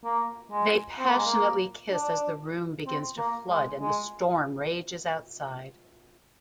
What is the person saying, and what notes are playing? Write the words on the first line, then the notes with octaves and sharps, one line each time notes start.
They passionately kiss as the room begins to flood and the storm rages outside.
A#3
G#3
C4
A#3
G#3
A#3
D4
C4
A#3
G#3
G#3